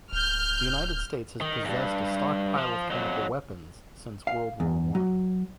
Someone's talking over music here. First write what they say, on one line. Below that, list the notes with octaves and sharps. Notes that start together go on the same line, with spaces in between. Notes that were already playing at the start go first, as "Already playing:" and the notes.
The United States has possessed a stockpile of chemical weapons since World War One.
D1 F6 G6
D#3
E2 G2
F3
F2 F#3
F5
E2
F#3